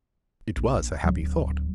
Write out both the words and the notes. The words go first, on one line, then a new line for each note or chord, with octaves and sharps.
It was a happy thought.
A#1
D1 F#3